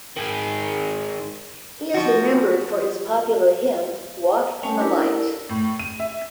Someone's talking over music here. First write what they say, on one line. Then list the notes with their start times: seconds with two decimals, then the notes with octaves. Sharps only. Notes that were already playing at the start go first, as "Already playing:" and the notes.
He is remembered for his popular hymn: "Walk in the light".
0.17 D#3 G#4
1.94 F3 F#4
4.63 G3 A3 C#4 C#5 G#5 A5
4.78 C#4 D4 E4 G4 A#4 B4
4.97 E4 A4 A#4 D5
5.49 A2
5.79 D#7
6.00 E5